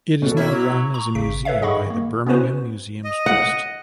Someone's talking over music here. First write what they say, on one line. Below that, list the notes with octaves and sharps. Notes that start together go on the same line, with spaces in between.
It is now run as a museum by the Birmingham Museums Trust.
B2 C#4 A4
A#3 E4 C#5
F#3
A#5 C#6 D6
G#1 C#3 B6 D7
A4 B4 C#5 E5 F5
G#2 G#4 D#5 F#5 B5 C#6
D#3 A#3
B3 C#4 E4 F#4 B4 C5
D#5
F#5